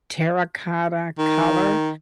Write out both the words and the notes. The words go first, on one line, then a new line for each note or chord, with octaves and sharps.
terracotta color,
D#3